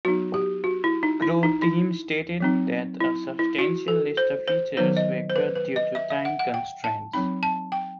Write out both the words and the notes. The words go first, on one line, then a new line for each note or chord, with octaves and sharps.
Croteam stated that a substantial list of features were cut due to time constraints.
F#3 B3 D#4 F#4
G4
F#4
E4
D#4
E4
D#4
E4
F#3 C4 D#4
E4
E4
F#4
A4
C5
C5
D#3 F#3 B3 D#4 C5
D#5
C5
B4
B4
D#5
E5
E5
F#5
F#5
G5
A5
F#3 C4 D#4 B5
A5
G5